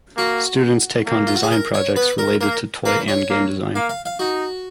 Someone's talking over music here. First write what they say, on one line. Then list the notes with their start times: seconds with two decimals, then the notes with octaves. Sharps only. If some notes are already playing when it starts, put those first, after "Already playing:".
Students take on design projects related to toy and game design.
0.17 A#3 F#4
1.07 A#3
1.27 F4
1.36 F#4
1.43 G#4
1.51 A#4
1.74 C#5
1.96 B3 B4
2.18 A#4
2.41 A#3 A#4
2.85 A#3 B4
3.08 C#5
3.30 A#3
3.75 A#3 F5
3.89 F5
4.06 F5
4.19 D#4 F#4